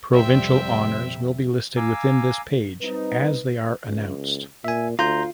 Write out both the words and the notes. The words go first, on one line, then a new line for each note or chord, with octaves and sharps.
Provincial honours will be listed within this page as they are announced.
F2 C3 G3 C4 E5 G5
F5 G#5 A#5 D6 E6
G3 C4 D#4 B4
C#2
A#2 E5 G#5
D2 F4 A#5 C6 G6